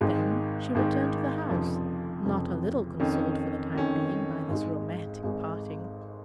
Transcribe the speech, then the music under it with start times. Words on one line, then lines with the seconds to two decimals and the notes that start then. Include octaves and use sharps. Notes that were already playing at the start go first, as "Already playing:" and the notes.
Then she returned to the house, not a little consoled for the time being by this romantic parting.
0.01 G#1 G#2 D#3 G#3
0.75 G#1 G#2 D#3 G#3
1.50 F1 F2 C#3 F3
2.25 F1 F2 C#3 F3
3.00 F2 D#3 C#4
3.75 F2 D#3 C#4
4.48 G#1 G#2 G#3
5.23 G#1 G#2 G#3